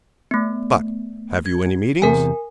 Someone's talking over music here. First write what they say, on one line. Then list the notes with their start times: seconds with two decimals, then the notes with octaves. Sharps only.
But, have you any meetings?
0.31 A3 B3
1.46 G#6
2.02 E2 C3 A#4 G#5